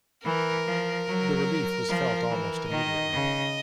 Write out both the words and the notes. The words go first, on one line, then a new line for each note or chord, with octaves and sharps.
The relief was felt almost immediately.
E3 A#4
F3
F#3
F3
E3
D#3 D#5
C#3